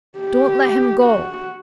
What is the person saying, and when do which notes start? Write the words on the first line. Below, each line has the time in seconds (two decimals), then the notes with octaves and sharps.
"Don't let him go."
0.18 G4
1.03 F#4